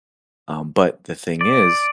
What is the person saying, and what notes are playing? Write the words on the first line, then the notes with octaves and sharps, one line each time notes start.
Um, but the thing is,
D5